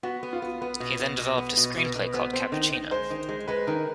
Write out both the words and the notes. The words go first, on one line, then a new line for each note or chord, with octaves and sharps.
He then developed a screenplay called "Cappuccino".
B3 F#4
B3
F4
B3
B3 B4
B2
B2
B2
B3
B2
B2 B4
B2 B4
B3 C5
C4 C5
D#3
D#3
G#3 C5
D#3
G#3
G#3 B4
D#3 A#4